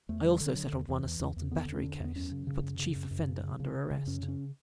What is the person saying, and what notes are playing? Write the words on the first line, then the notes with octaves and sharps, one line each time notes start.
I also settled one assault and battery case, and put the chief offender under arrest.
E2 A3
D3 G3
D3
F#3
D3
D3
E2
E2 E3
E2
E2
E2
D3 B3
E2 C#4
D3
E2 B3
F#2 C#4
C#3
C#3
F#2
C#3
F#2
F#2
C#3
C#3
C#3
C#3
C#3
F#2 C#4
C#3
C#4